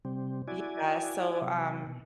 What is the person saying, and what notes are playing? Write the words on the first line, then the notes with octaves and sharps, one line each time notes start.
yeah. So, um
C3 G3 C4
E4 F#4 D5 G#5
C3 F#3
B2